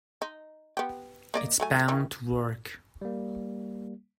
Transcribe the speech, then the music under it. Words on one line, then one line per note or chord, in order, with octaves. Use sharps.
It's bound to work.
D#4
B3 G4
A#3 D5 D#5
F#3 A3 G#5
D#3 E3 C#4
G3 A#3